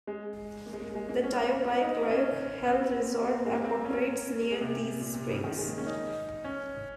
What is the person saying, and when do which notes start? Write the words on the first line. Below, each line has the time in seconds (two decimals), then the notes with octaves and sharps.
The Tyoply Klyuch Health Resort operates near these springs.
0.07 G#3
0.66 A#3
0.73 G#3
0.81 A#3
0.95 G#3
1.09 A#3
1.24 C#4
1.53 C#4
1.81 D#4
2.11 C#4
2.68 C4
3.27 A#3
3.45 G#3
3.55 A#3
3.64 C4
3.85 C#4
4.42 A#3
4.52 G#3
4.61 C3
5.00 A#2
5.14 C3
5.29 C#3
5.44 D#3
5.58 G#3
5.67 A#3
5.78 C#4
5.87 D#4
6.44 C#4